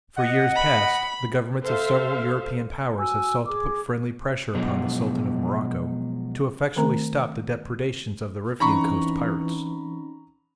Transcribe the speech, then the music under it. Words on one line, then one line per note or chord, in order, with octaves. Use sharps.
For years past the Governments of several European Powers have sought to put friendly pressure upon the Sultan of Morocco to effectually stop the depredations of the Riffian coast pirates.
D#5 F#5
B5
A4 C5 E5 F5
F#4 G#5 E6
G#4 D6
B2 F3 F#3 G#3
D#3 A3 C4 A#4 A#5
E3 C4 C#4 D#4 A#5 B5 C#6